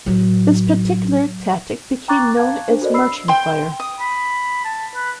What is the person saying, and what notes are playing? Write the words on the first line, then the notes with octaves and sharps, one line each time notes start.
This particular tactic became known as marching fire.
A1 F#3
G5 A#5 C#6 D6 F#6 A6
F5 A5 G#6
D4 C5
F#4 A4 A#4 C5 D5 D#5
B5 E6 C7
G5 C6
D#6
B5
A5
B4